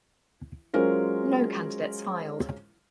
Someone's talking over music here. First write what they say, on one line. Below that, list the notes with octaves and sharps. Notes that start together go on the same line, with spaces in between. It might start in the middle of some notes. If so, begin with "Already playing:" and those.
No candidates filed.
F#3 G#3 C#4 F4 A#4 C5